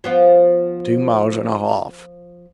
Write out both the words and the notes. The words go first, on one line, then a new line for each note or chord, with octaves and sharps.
"Two miles and a half."
F3 B3 F4